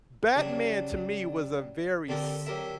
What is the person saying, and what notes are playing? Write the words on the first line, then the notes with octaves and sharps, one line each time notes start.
Batman to me was a very s
C#3 F#3 G3 D4
D3 C4 G4 A4 A#4
F#3 G4 A#4 E5